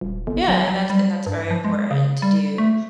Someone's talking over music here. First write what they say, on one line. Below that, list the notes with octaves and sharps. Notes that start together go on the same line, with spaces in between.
Yeah, and that's and that's very important to do.
D#1
G1
F#3
F#3
G3
G2
F3
G#3
C#3
G3
A3